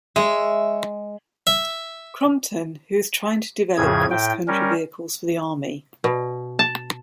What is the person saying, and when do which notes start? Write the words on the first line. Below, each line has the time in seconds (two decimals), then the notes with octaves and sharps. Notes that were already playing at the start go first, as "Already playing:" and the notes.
Crompton, who was trying to develop cross-country vehicles for the Army.
0.16 G#3 C#5 E5
1.47 E5
3.77 F2 A2 C#3 F3 G#4 G#6
4.11 A2 G5
4.48 G3 C#4 A#4
6.04 B2
6.59 A5